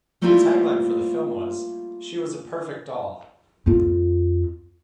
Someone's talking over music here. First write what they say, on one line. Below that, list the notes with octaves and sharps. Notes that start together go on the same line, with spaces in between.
The tagline for the film was She was a perfect doll.
G3 A3 A#3 C4 E4 F4
F2 F4